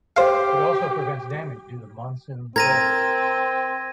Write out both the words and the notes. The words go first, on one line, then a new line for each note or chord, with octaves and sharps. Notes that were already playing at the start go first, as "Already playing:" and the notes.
It also prevents damage due to monsoon floods.
G4 C5 F5
C4 A#4 G#6 A#6 D#7